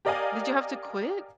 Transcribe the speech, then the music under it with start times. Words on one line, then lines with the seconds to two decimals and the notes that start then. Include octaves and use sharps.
Did you have to quit?
0.05 G4 A#4 D5 D#5 F5 G#5